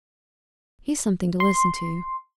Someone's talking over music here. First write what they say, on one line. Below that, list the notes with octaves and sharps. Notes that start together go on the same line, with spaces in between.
He's something to listen to.
C6